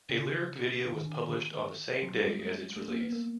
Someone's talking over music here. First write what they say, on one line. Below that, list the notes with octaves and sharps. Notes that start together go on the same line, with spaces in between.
A lyric video was published on the same day as its release.
C#3
D3
D3
D#3
D3
D3
F#3
G3
G#3
A3
A3
A#3
B3
A#3